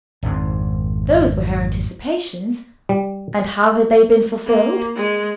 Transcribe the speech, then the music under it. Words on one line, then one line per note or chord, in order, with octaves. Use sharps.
Those were her anticipations--and how had they been fulfilled?
G#1 F2 G#2
G3
A#3
G#3